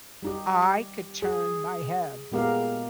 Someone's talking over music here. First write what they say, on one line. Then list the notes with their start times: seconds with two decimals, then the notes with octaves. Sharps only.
I could turn my head.
0.23 G3 D#4 G4
1.22 G#4
2.32 A#2 G#3 B3 G4 A#4 F5